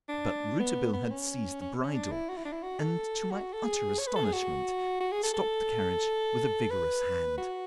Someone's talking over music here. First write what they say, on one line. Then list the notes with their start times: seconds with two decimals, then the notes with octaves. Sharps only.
But Rouletabille had seized the bridle and, to my utter astonishment, stopped the carriage with a vigorous hand.
0.08 D4
0.59 B3
0.93 B3
1.10 C#4
1.61 C#4
1.83 C#4
1.95 D4
2.11 E4
2.29 F#4
2.37 E4
2.45 D4
2.52 E4
2.63 F#4
2.79 A4
3.31 F#4
3.53 A4
3.64 G#4
3.99 C#5
4.07 B4
4.16 A4
4.24 G#4
4.33 F#4
5.00 F#4
5.12 G#4
5.23 A4
5.34 A4
6.70 B4
7.38 F#4